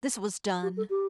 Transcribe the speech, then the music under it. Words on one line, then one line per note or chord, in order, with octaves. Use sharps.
This was done.
G4
A4
G4